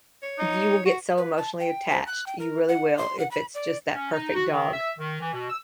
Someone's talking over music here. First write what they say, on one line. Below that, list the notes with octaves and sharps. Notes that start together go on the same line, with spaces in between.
you will get so emotionally attached, you really will, if it's just that perfect dog,
C#5
D#4
F#4
B4
A5
G5
C5
F#6
G5
A#4
F#5
C6
F#5
B5
D5
C#4
D#4
F#4
D#3
E5
D#3
E3
B2
E6